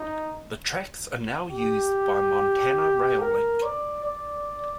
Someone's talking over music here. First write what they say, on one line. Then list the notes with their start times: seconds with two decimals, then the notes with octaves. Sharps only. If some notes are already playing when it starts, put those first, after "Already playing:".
The tracks are now used by Montana Rail Link.
Already playing: D#4
1.51 G4
3.19 A#4
3.62 D5
4.04 D5